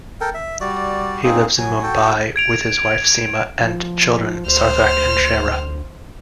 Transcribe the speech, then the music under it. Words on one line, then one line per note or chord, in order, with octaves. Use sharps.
He lives in Mumbai with his wife Seema and children Sarthak and Shreya.
A4 A#4 G5
E5
G3 F#4 D5
A#3 C4 D#4 G#4
F#3 G#5
F#4 A4 G5
G#6 D7 F7
F3
D2 C5 F6